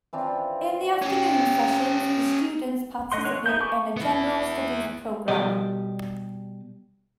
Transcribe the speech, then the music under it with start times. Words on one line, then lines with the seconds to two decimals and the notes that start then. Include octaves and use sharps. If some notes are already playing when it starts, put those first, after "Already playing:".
In the afternoon session, the students participate in a general studies program.
0.13 E3 C4 D4 F4
1.02 C#4 G4
3.12 A3 D#5 F#5 C6
3.25 E3 D4 C#5 F#6
3.46 B3 D#4 E5 A5 G6
3.60 B4 G#5 A5 C#6 D6
3.97 B3 E4
5.28 B2 G3 G4 D#5